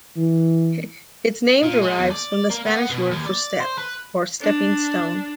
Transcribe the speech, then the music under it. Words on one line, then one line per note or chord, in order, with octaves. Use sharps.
Its name derives from the Spanish word for "step" or "stepping stone".
E3
A#2
G#3
E2
D5
A#3
B3
B2
D#2
D5
C5
B4
D4